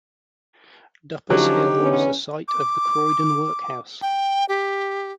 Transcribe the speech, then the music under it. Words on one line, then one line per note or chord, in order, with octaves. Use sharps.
Duppas Hill was the site of the Croydon workhouse.
D3 F3 F#3 C#4 D#4 F4 G4
E2 B3 C#4
D6
G5
G4